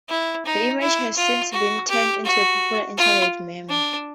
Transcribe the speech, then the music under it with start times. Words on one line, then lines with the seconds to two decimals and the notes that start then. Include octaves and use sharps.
The image has since been turned into a popular Internet meme.
0.09 E4
0.45 D#4
0.81 E4
1.16 F4
1.53 F#4
1.89 G4
2.25 F#4
2.98 F4
3.69 D4